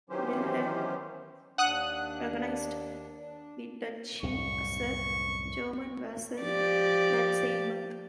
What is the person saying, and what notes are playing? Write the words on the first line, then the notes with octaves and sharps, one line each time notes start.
Wilhelm recognised the duchy as a German vassal that same month.
D#3 E3 F#3 C#4 G4 C5
D#2 D4 F#5 D#6 F#6
D4
C2 F#2 A2 C#6
F3 G4 D5